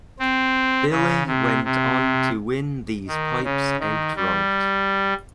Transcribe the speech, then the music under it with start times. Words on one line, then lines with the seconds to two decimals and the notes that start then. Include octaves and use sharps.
Billy went on to win these pipes outright.
0.19 C4
0.91 C#3
1.27 C3
1.64 C3
3.08 D#3
3.44 C#3
3.80 D#3
4.16 G3